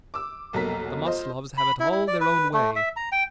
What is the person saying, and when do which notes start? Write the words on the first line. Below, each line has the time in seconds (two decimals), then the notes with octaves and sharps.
The Maslovs have it all their own way.
0.14 D6 E6
0.53 F1 B1 F#3 A#3 A#5 B6
1.05 F4 C5 D#5
1.58 B5
1.80 E4
1.91 E4
2.08 D5
2.21 B4
2.53 A3
2.76 E5
2.96 A#5
3.12 G5